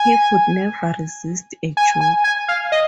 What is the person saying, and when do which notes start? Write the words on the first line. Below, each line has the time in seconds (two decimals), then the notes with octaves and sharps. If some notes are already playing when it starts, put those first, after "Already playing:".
He could never resist a joke.
Already playing: G#5
1.77 G#5
2.01 G#5
2.24 G#5
2.48 F5
2.72 D#5